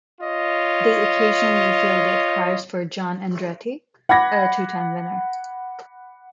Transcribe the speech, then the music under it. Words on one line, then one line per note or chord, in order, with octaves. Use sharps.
They occasionally fielded cars for John Andretti, a two-time winner.
F4 C#5 D#5
F#5 B5 D6 G#6 A#6